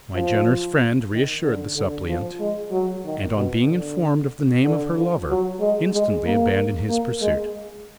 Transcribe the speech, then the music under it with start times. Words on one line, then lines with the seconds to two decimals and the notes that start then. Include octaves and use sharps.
My generous friend reassured the suppliant, and on being informed of the name of her lover, instantly abandoned his pursuit.
0.15 F3
1.12 D#3
1.43 D3
1.76 D3
2.08 F3
2.40 G#3
2.71 F#3
3.05 D#3
3.35 B2
3.69 D3
4.64 D3
4.97 F3
5.29 F#3
5.60 G#3
5.94 G#3
6.26 A#3
6.90 A#3
7.22 G#3